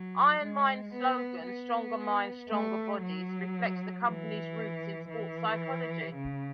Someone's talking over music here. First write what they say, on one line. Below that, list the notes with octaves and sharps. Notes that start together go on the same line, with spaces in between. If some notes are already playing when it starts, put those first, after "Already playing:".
IronMind's slogan, "Stronger Minds, Stronger Bodies," reflects the company's roots in sports psychology.
Already playing: F#3
G#3
B3
B3
A3
F#3
E3
E3
C#3